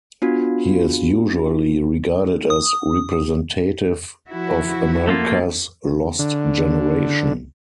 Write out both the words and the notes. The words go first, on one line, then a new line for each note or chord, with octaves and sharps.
He is usually regarded as representative of America's Lost Generation.
B3 D4 F4 F#4
D#6
F3 E4 F#4
A3 A#3 F4
D3